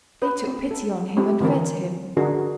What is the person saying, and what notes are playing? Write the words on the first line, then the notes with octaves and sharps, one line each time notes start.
They took pity on him and fed him.
B4
C4
A4
A3 C4 E4 G4
D3 E3 A3 C4 A#4
D3 D4 F#4 G#4 A#4